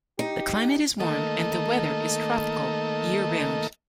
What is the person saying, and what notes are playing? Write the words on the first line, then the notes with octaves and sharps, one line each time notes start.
The climate is warm and the weather is tropical year round.
D#4 G4
D#3 A3 A#3 A4 D#5